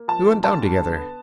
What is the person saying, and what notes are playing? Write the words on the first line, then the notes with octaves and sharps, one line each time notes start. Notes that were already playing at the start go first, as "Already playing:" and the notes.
We went down together.
Already playing: A#3
F3 A5
G#2
D2 A5
G3
D3
B3